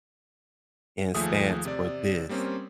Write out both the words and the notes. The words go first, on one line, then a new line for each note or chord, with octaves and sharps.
and stance for this."
D#2 F3 A3 G#4 E5 D#6
C3 D5
G3 A#3 C4 C#4